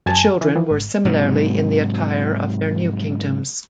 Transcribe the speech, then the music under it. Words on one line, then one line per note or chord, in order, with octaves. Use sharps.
The children were similarly in the attire of their new kingdoms.
F#2 G#5 A5
E3
E3 F3
G#1
G#2 C3 F#3